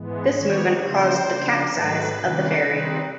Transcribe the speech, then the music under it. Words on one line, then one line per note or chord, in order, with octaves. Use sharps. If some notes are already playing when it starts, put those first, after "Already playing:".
This movement caused the capsize of the ferry.
Already playing: G#2 E3 G#3 B3
D#3 G3 B3 C#5
C#3 F3 A#3 C5
C#3 F3 A#3 D4
G#2 D#3 F#3 A3 B4
C3 D#3 G3 A#3 C#4
C3 D#3 G3 C4 D#4